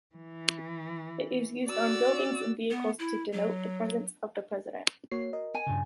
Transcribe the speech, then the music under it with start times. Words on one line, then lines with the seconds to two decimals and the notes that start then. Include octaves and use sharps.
It is used on buildings and vehicles to denote the presence of the president.
0.13 E3
1.66 F#4 D5 E6
2.71 B3
2.99 E4
3.33 F#3
5.11 A#3 F#4 C#5 C7
5.33 A#4 D#5
5.54 G#5
5.67 G2 A#2 C#3